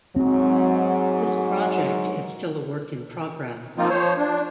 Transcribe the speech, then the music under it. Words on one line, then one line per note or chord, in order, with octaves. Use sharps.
This project is still a work in progress.
G#2 F#3 C4
F3 A#3 C4 D#4 F4
F3 C5 C#5
D4